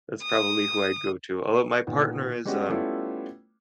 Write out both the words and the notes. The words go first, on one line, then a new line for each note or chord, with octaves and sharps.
that's probably who I'd go to, although my partner is, uh,
D#6
A#2 D#3 B3
G3 G#3 B3 C#4 F#4 G4
G3 A3 B3 C#4 E4 F4